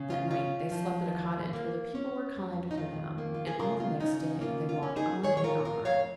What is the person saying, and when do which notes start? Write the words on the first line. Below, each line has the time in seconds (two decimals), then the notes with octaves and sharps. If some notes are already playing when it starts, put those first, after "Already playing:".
That night they slept at a cottage where the people were kind to them, and all the next day they walked on and on.
Already playing: C#3
0.10 F4
0.30 C#4 F4
0.72 F3
1.13 D#2
1.53 A#3
1.95 C#4
2.36 F2
2.71 D#4
2.77 D#3 F4
3.18 A#3
3.34 F4
3.47 G#4
3.59 C#3 F4 A#4
3.80 F4
4.00 C#3 D#4
4.21 D#4
4.41 A#3 F4
4.69 F4
4.83 C#4
4.96 D#4 G#4
5.23 D#3 G#4 C#5
5.37 C#5
5.44 F4 A#4
5.65 F2 F4 A#4
5.85 C#5 F5